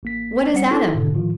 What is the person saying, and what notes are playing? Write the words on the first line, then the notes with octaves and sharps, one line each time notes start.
What is Adam?
A1 A#3 B6
G3 C5 F#5 C#7
D#4 E4 F#4 A4 C6
G#2 B2 D3
A2 D#3 F3 F4